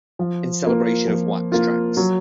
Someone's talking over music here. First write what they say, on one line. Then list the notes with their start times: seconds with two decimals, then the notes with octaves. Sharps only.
In celebration of Wax Trax!
0.19 F3
0.63 A#3 F4
1.08 F3
1.52 A#3 F4
1.97 F#3